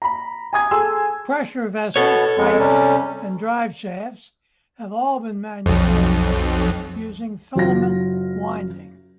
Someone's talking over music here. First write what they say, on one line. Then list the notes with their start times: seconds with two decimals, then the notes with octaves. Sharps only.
Pressure vessels, pipes and drive shafts have all been manufactured using filament winding.
0.02 A#5 B5
0.53 G#5 A#5 D#6 G#6
0.71 G#4 A4 G#5 C6 E6
1.96 B2 B3 A4 C#5
2.38 F2 G#3
2.59 C3 G3 C#4
5.66 B1 F2
7.55 F#1 F#3 F4 F5 A#6